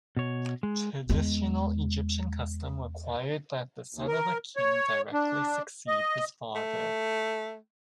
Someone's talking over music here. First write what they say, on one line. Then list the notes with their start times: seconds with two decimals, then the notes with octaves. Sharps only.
Traditional Egyptian custom required that the son of a king directly succeed his father.
0.17 B2 C#5
0.63 G#3
1.09 E2 G#3
3.94 D#2
4.07 A#4
4.56 C#5
5.13 D4
5.87 D#5
6.55 A3